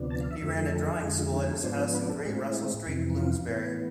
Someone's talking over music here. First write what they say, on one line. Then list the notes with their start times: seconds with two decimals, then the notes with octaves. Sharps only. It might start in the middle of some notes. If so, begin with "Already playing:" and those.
He ran a drawing school at his house in Great Russell Street, Bloomsbury.
Already playing: D2 C3 F3 B3 D4
0.10 A5
0.21 F5
0.31 E5
0.41 F2 D3 F3 A3 E5
0.72 A4
0.87 G#4
1.02 F2 D3 G#3 E4
1.18 F4
1.33 E4
1.43 F4
1.53 A4
1.63 G#2 F3 B3 D4 C5
1.95 B4
2.10 A4
2.25 A2 G#3 C4 G#4
2.35 F4
2.46 E4
2.86 F2 C3 E3
3.17 F4
3.48 A2 E3 B3